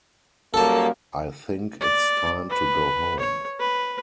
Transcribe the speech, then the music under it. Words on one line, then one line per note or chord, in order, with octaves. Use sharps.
I think it's time to go home.
F#2 G3 A#3 A4 A5
D5
B4
C#5
B4